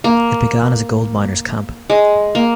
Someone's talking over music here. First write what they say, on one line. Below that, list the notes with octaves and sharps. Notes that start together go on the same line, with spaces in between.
It began as a gold miners camp.
A#3
G#3
A#3